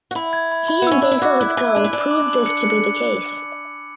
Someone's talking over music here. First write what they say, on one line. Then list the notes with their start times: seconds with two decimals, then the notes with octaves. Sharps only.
He and Basil Lythgoe proved this to be the case.
0.11 F#4
0.15 E4 B5
0.33 G#6
0.51 B5
0.68 B5
0.82 B3
0.87 C#4 E6
1.02 D4 E6
1.11 E4
1.22 F#4 D6
1.40 E4 F#6
1.57 E4 G#5
1.75 D4 G#5
1.84 E4
1.93 D4 G#5
2.11 D6
2.28 F#7
2.46 C#7
2.64 C#7